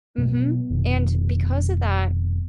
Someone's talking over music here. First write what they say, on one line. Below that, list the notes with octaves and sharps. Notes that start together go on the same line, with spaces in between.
mhm. And because of that
B2 F#3 A3 B3
F1 B2 D#3